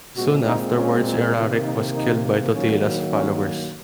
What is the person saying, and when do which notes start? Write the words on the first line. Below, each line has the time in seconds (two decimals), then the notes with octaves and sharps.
Soon afterwards Eraric was killed by Totila's followers.
0.16 A#2 G#3 C4 F#4
0.46 D#4
0.76 C#4
1.35 C3 D#3 A#3 F4
1.65 D#4
1.95 D#4
2.54 D#3 F#3 A#3 C#4
3.13 C#4